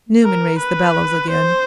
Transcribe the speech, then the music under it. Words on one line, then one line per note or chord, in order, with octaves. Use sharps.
Newman raised the bellows again.
A#4
B4
C5